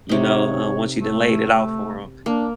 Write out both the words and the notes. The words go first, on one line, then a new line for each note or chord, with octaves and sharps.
you know, uh, once you done laid it out for 'em.
C3 D#4 C#5
A3
A#3 D4